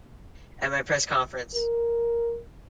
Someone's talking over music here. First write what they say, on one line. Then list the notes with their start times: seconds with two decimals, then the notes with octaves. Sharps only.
At my press conference.
1.55 A#4